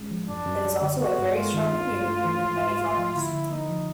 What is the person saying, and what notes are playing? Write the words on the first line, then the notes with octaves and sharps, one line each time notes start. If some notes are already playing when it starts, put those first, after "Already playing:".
It is also a very strong community with many farms.
Already playing: A2 G#3 C#4
F3
F#2 D4
F#2
F#3
D3
B3 F#4
G2
G#3 F4
D#3
D4
G2
A3
E3
G#2
G#2
A3
F3
D3 E4
D3
A#3 D#4
F3